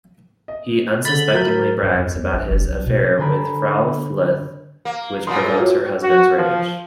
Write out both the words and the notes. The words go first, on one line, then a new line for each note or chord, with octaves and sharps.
He unsuspectingly brags about his affair with Frau Fluth, which provokes her husband's rage.
D#5
D3 B5 A6 G7
F#3 A#4 G6
G2
F2
E2
A#1
F#1
B1
B2
D3 C5 G#5 A#5 B5 D7
A#3
F#2 A#2 B5 C6 D#6
A4 E6
F4 F#4 C#5
F#4
F3